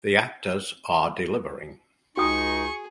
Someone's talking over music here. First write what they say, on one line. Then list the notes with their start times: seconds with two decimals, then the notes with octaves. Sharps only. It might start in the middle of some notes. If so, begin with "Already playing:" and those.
The actors are delivering.
2.17 C#2 D#4 F#4 G#4 G5 C#6 D#6